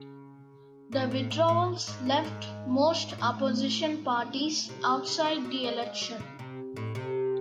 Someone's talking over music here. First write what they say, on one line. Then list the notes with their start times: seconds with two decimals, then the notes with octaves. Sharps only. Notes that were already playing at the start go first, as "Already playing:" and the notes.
The withdrawals left most opposition parties outside the election.
Already playing: C#3
0.92 A2
1.11 A2
1.30 A2
1.49 A2
1.87 G#2
2.06 A2
2.24 G#2
3.10 G#2
3.18 A2
4.69 C3
5.07 C#3
5.26 E3
5.45 F#3
5.64 G#3
5.82 G#3
6.01 F#3
6.20 C#3
6.39 C3
6.76 A2
6.95 C3